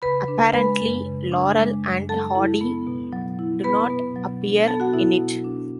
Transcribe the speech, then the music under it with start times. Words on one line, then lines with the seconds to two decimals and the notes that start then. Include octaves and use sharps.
Apparently Laurel and Hardy do not appear in it.
0.02 C#3 B4 B5
0.28 D4
0.54 G#3 B4 B5
0.80 F#2
1.06 C#3
1.32 D4
1.57 G#3
1.83 F#2
2.09 F#3 A4 A5
2.35 E4
2.61 B3
2.87 B2
3.13 F#3
3.39 E4
3.63 B3 B4 B5
3.90 B2
4.16 F#3
4.42 D4
4.67 B3 A4 A5
4.80 F#4 F#5
4.93 B2 E4 E5
5.19 F#3
5.44 D4